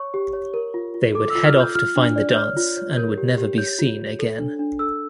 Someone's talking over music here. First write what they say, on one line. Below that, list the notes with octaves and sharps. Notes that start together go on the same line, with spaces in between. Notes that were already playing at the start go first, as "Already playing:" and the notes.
They would head off to find the dance and would never be seen again.
Already playing: C#5 C#6
G4
C#5
A#4
F4
F4
A4 D6
E6
F4
F6
F4
G6
F4 F6
D4
D5
G6
C#5 F6
F4
C#5
A#4 G6
G4
G4
C#5 G6
F4
C#5
A4
D4
D4
A4 E6